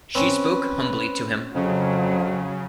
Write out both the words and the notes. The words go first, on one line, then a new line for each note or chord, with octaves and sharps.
She spoke humbly to him.
C4 C#4 B4
F2 C#3 F#3